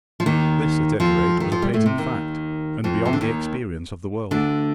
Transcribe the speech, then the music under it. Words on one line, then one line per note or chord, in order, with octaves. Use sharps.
This, at any rate, was a patent fact, and beyond the experience of the world.
F3
D#2 D#3
F2 F3
D#3
F3
G3
A2 A3
C3
D#2 D#3
F2 F3
C3
D3
D#2 D#3
D2 D3